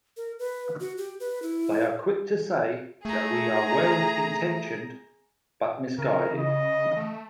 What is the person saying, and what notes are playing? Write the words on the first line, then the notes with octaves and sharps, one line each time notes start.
They are quick to say that we were well-intentioned, but misguided.
A#4
B4
F#4
G4
B4
E4
A3 G#4 A#5
C#3 A#4
D#5
A3